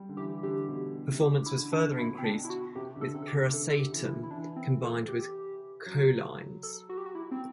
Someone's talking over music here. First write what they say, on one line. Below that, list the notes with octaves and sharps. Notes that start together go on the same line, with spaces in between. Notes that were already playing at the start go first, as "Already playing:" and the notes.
Performance was further increased with piracetam combined with cholines.
Already playing: G3
D3
E3 G4
D3 G4
B2
C3
D3 G4
E4
D3
D4
B2 E4
C4
D4
E4
F#4
C3 G4
D3
A4
C3
A4
G4
C3
D3 A4
A4
G4
E3
E4
E4
E3 D4
C4
A4
A4
G4
F#3
A4
F#4
G4
F#4
E4
C4